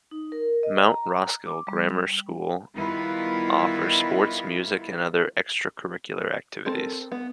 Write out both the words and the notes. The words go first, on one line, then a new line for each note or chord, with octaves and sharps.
Mount Roskill Grammar School offers sports, music and other extracurricular activities.
D#4
A#4
D#5
A#5
D6
G3
D#3 G3 B3 E4 F4 B4
C4 A4 A#4
B3